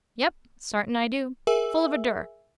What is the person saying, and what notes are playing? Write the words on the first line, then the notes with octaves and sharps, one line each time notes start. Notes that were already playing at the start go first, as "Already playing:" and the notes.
Yup, sartin I do. Full of a dure.
G#4 A#4 E5 G#5 E6